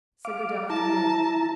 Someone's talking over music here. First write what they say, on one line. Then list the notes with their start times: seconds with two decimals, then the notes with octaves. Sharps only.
So good afternoon.'
0.25 F5 D6
0.70 E4 A5 A#5